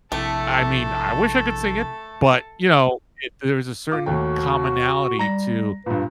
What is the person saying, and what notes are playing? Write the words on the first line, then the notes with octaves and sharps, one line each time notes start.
I mean I wish I could sing it, but, you know, it there's a certain commonality to
A#1 C3 A3 E4 G4 A4
F4 D6
D#2 A3 F#4 G5
G3 A#5 A#6
G2 A#2 B4